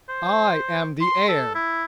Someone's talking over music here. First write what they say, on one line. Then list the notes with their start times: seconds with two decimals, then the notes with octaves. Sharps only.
"I am the heir."
0.09 C5
1.01 C6
1.29 A4
1.55 E4